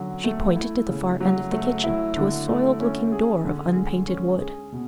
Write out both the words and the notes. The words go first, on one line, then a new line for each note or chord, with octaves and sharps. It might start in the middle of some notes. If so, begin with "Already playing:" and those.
She pointed to the far end of the kitchen to a soiled looking door of unpainted wood.
Already playing: D3 F#3 C#4
A3
E4
C#3
F#3
A3
E4
D3
A3
C#4
G#4
D3
G#3
C#4
G#4
B2